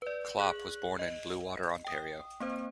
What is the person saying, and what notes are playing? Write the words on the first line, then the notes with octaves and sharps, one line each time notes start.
Klopp was born in Bluewater, Ontario.
B4 D5
G#4 F#6 F#7
D#5
G5 D#6
A#3 C4 C5